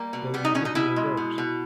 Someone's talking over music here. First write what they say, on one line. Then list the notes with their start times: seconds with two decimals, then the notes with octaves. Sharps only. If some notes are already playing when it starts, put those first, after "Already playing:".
Will you give me a rose?
Already playing: G3 A#3
0.13 B2
0.34 G3 B3
0.45 D#4
0.54 B2 C#4
0.65 D#4
0.75 B2 E4
0.96 G#3
1.17 B2
1.38 B2